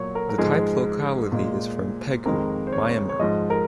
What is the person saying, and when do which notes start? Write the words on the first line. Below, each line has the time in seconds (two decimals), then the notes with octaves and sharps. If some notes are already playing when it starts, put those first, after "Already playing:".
The type locality is from Pegu, Myanmar.
Already playing: A#2 F#3 A#3 C#5
0.15 A#4
0.29 A#4
0.38 G#2 F3 G#3 G#4
1.32 A#2 G#3
2.25 F2 D#3 G#3 A#4
2.67 C5
2.72 C#5
3.09 C#5
3.19 G#2 F3 G#3 D#5
3.50 A#4